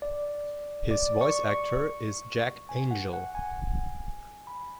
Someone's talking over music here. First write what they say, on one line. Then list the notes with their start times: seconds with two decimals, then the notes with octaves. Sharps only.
His voice actor is Jack Angel.
0.02 D5
0.91 D5
1.21 C#6
1.50 C#6
2.69 G#5
2.91 F#5
3.13 F#5
3.35 G#5
4.47 B5